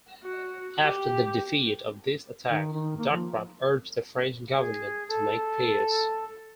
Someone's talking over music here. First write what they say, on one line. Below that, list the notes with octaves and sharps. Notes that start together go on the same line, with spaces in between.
After the defeat of this attack, Ducrot urged the French government to make peace.
F#4
G4
D#3
D#3
A#3
F3
G#4
A4